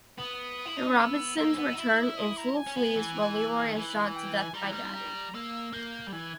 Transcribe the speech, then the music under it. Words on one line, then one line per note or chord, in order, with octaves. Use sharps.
The Robesons return and Fool flees while Leroy is shot to death by Daddy.
B3 D#6
E4
D#4
C#4
B3 E6
A#3 E6
C#4
B3
D#4
E4
D#6
A#5
G#5
C#4
B3
E3
D#3
E3
G5
G#5
G3 A#5
E3
G3
A#5
A#3 E6
A#3 G6
G3
E3 G#6